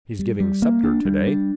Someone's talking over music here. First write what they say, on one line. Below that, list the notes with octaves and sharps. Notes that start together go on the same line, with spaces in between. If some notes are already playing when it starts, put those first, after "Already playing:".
He's giving Sceptre today.
G3
G3
A#3
D4
G3
D4